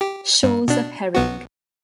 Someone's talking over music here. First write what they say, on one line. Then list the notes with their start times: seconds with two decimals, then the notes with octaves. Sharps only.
'Shoals of Herring'.
0.01 G4
0.43 G2
0.68 B2 D4
1.15 B1 B3 F#4